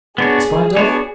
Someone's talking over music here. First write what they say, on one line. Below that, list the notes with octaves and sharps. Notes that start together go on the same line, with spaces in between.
In spite of?
B3 D4 F#4 G#4 C#5
B3 D4 F#4 C#5